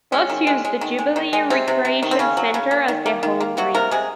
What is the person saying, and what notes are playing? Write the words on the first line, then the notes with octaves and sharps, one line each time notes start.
Both use the Jubilee Recreation Centre as their home rink.
G#3 C#4
D#3
G#3
G#3
D#3
G#3
D#3
G#3
C3 C4
C3
C3
D#3
C4
C#3 C#4
F#3
C#3
A#3
D#3
A#3
D#3
A#3
C3 F#3 F#4
C3 A#3 A#4
C3 G#3 G#4